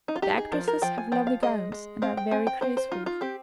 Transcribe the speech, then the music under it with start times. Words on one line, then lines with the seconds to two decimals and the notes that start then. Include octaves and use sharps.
The actresses have lovely gowns, and are very graceful.
0.08 D#4
0.16 F4
0.22 D#4 G4
0.38 G#4
0.52 F3 A#4
0.68 A#4
0.82 F3 G5
0.98 G#5
1.12 F3 G5
1.27 F5
1.43 G#3 D#5
1.72 G#3
2.02 C4 F5
2.17 G5
2.31 C4 G#5
2.47 G5
2.61 C4 C5
2.77 C5
2.92 D#4 F4
3.06 F4
3.21 C4 G4